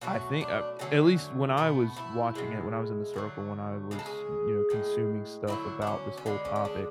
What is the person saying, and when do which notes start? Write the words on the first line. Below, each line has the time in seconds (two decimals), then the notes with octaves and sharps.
I think uh at least when I was watching it, when I was in the circle, when I was, you know, consuming stuff about this whole topic,
0.01 B2 F#3 A3 F#4
0.41 D4
0.79 D3 F#3 A3 C#4
1.57 B2 A3 B3
1.97 E4
2.35 B2 G#3
3.14 D3 F#3 A3
3.91 C#3 G#3 G#4
3.99 A4
4.06 G#4
4.70 A2 G#3
5.47 D3 F#3 A3 E4
5.82 D4
5.87 C#4
6.17 C#4
6.26 D3 G#3 B3
6.45 C#4
6.56 C#4
6.65 D4